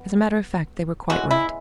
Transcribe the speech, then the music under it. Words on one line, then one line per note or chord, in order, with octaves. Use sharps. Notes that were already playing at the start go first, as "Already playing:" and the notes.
As a matter of fact they were quite right.
Already playing: B3
C#3 E3 G#3 B3 F#4
E4